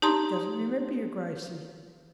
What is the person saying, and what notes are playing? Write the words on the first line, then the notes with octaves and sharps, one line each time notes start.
'Dick doesn't remember you, Gracey.
D#4 G4 A5 A#5 C6 D#6